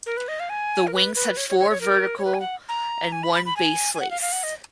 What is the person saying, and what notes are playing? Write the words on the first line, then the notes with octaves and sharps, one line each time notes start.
The wings had four vertical and one base lace.
A#4
B4
D#5
F5
G#5
A#4
B4
B4
C#5
C#5
C#5
C#5
A#4
C#5
B4
G#5
F#5
A#5
G#5
B5
B5
B5
G#5
G#5
F#5
F5
F5
F#5
D#5